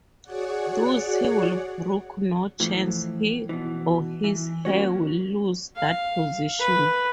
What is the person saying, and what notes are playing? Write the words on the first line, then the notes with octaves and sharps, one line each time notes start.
Thus, he will brook no chance he or his heir will lose that position.
F#4 G#4 C#5 D5 F#5
A2 E3 F3 A3
B2 E3
E3
A#3 C#4 F#4 C#5
F5
B4